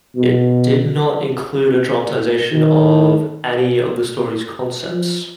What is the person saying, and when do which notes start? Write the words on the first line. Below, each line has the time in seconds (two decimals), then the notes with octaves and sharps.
It did not include a dramatization of any of the story's concepts.
0.15 B2
2.52 D#3
4.89 F3